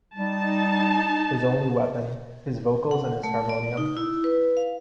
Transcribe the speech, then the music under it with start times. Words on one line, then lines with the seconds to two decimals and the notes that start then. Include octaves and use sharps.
His only weapon: his vocals and his harmonium.
0.15 G3 D#4 A5
2.91 F#5
3.23 A3
3.49 D5
3.77 D#4
3.97 E4
4.24 B4
4.57 F5